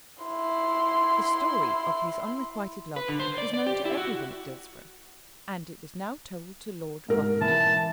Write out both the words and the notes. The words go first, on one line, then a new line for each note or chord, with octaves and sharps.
The story of his unrequited love was known to every one at Dillsborough and it was now told to Lord Rufford.
E4 C6
B4
D3
C5
D5
D5
G4
E4
F#4
G#2 A#4
E3 A5